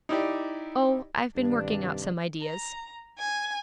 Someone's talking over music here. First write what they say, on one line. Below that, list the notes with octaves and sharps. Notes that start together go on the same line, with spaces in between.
'Oh--I've been working out some ideas.'
D#4 E4 G4 D5
G2 C3 D#3 D4
A#5
G#5